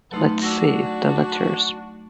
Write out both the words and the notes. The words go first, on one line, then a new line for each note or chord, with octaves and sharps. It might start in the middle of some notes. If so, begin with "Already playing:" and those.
Let's see the letters.
F#3 A3 B3 D#4 F4 A4
D4 F#4 E6 A#6